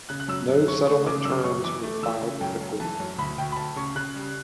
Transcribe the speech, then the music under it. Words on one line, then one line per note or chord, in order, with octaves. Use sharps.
No settlement terms were filed with the court.
C#3 F#6
F#6
F#2 E6
F#2
C#3 C#6
A3 C#6
C#3 D6
D6
F#2 E6
F#2 C#6
E3 D6
A3
E3 E6
C#3
F#2 G5
F#2
E3 A5
F#2
D2 B5
D2 G5
B5
D2 A5
C#3 C#6
C#3 F#6
G3